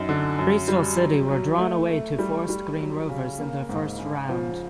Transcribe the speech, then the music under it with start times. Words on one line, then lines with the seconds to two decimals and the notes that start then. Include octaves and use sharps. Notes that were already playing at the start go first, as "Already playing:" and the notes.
Bristol City were drawn away to Forest Green Rovers in the first round.
Already playing: F#2 D#4
0.09 D3
0.39 F#2
0.68 G3
0.98 F#3
1.28 F#3
1.58 A3
1.89 A3
2.19 G3
2.49 G3
2.79 F#3
3.09 C#3
3.39 A#3
3.69 G#2
3.99 C#3
4.29 F3